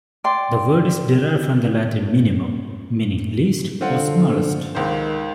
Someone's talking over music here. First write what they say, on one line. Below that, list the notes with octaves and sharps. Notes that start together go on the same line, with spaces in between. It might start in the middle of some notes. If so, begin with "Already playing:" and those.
The word is derived from the Latin "minimum", meaning "least" or "smallest".
D5 G5 C6
D3 C4 F4 F#5
C#2 G#2 D#3 C5